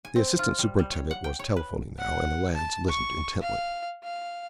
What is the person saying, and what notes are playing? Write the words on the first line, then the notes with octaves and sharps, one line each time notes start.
The assistant superintendent was telephoning now, and the lads listened intently.
G#5
C4
F4
G3
G3
C#5
F#5
G5
C#5
B4
F#5
A5
C#6
F5
F5